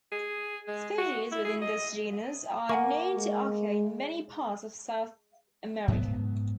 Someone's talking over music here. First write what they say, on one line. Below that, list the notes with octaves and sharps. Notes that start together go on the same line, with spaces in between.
Species within this genus are known to occur in many parts of South America.
G#4
G#3
F#4
E4
G#4
D#5
A#3 F#5 G#5 C#6
G#3
G#2 F#3 B3